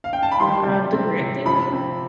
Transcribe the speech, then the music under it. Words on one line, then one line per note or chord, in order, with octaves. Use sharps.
God, uh, with the Grant thing though,
F5
G5
A5
B5
G3 C6
C3
C4
C3
F3 B5
C4